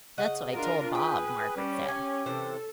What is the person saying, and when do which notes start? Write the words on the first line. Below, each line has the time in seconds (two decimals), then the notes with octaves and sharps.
"That's what I told Bob," Margaret said.
0.18 C#3 D#5 F#5
0.54 D4 F4 A#4
0.95 G#4 B4 G5
1.57 G3 C#4
1.88 G4 G#5
2.26 C3 E3 A4 C5